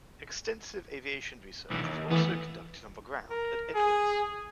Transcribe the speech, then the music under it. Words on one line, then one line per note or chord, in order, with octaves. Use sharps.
Extensive aviation research was also conducted on the ground at Edwards.
B1 E3
D#2
E3 A3 B3
A#4
G#4